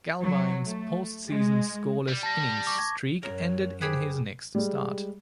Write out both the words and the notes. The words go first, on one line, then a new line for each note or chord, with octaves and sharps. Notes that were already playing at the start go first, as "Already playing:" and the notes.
Glavine's postseason scoreless innings streak ended in his next start.
F#3
A3
G#3
G3
A5 A#6
C#6 D6
G#6
F#2 A#4 C#5
G4 G#4 B4 C5
G3 G#3